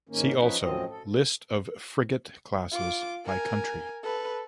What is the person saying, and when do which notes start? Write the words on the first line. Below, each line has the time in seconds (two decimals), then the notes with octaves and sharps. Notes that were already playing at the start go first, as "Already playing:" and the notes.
See also List of frigate classes by country.
0.09 G#2 D#3 A#3 C#4
0.39 F3 C#4 D#4 B4
0.60 F#2 A2 F3 F#3 C4 D#5
0.89 A4
2.71 F4 D6
3.25 A#4 G#5
4.03 A4 B4